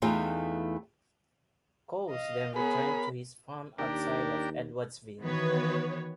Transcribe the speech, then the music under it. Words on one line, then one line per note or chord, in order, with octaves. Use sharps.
Coles then returned to his farm outside of Edwardsville.
E2 E3 A3 D#4 F4 G5
D#5 F5
B3 G#4 A#4 C#5 B5
D#2 D4 G4 A#4
D#3 E3 B3 F#4 B4 C#5